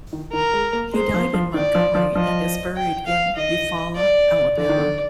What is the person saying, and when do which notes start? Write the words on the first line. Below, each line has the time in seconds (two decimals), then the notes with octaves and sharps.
He died in Montgomery and is buried in Eufaula, Alabama.
0.13 D#3
0.32 D#3 A#4
0.53 G#3
0.73 A#3
0.93 G#3 C5
1.14 F3
1.34 F3
1.54 D#3 D5
1.75 F3
1.95 F3
2.15 F3 D#5
2.76 G5
3.06 F5
3.36 D#3 D#5
3.96 D5
4.57 D3 D5
4.69 D#3
4.78 D3